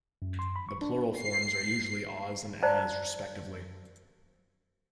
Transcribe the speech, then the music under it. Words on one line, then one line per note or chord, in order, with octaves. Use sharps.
The plural forms are usually "-os" and "-as" respectively.
F#2
C6
B5
C#6
D4
C7
C5 D5 A5 A#5